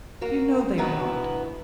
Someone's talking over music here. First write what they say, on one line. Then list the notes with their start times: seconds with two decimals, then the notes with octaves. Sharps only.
You know they are not.
0.21 A#3 F#4
0.78 D2 B2 B3 E4 B4 A#5